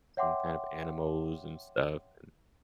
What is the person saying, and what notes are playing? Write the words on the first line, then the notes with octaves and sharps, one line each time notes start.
some kind of animals and stuff and
C#5 E5 F#5 G5 C6 D6